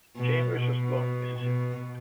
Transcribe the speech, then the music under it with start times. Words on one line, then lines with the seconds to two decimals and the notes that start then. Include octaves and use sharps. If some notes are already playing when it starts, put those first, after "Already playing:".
Chambers was born in Mississippi.
0.17 B2
0.58 B2
1.39 B2